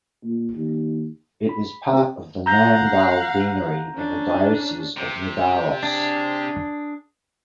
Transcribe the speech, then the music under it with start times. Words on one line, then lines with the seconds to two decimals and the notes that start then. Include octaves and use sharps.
It is part of the Namdal deanery in the Diocese of Nidaros.
0.24 A#2
0.54 D#2
1.49 B5
1.93 C4 G4
2.46 F5 F#5 A#5 G6 A#6
3.95 C#4 D4
4.97 C3
5.83 D4 G#4